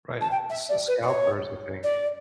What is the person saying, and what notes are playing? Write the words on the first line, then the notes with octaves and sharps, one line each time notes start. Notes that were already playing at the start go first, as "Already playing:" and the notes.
Right, s scalpers, I think.
A5
G5
E5
D5
B4
D5
C#5
D5